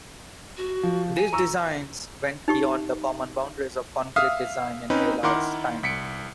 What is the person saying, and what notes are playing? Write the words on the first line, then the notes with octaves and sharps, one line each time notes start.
These designs went beyond the common boundaries of concrete design in Maillart's time.
F#4
F3
G#5
A#5 C#6 E6
D#4 G4 C#6
E5 F5 D#6 F6
C4 C#4 D#4 B4
D#3 E4 A#4 F#5 C6 D6
C2 B6 C#7 D7